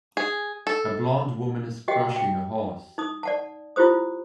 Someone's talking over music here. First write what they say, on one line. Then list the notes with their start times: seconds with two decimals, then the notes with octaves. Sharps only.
A blond woman is brushing a horse.
0.17 G#4
0.67 A4
1.88 F#4 G4 D#5 F#5 G5
2.16 G5
2.98 D#4 D#6
3.23 D5 F#5 A5
3.76 E4 F4 G4 C5 D#6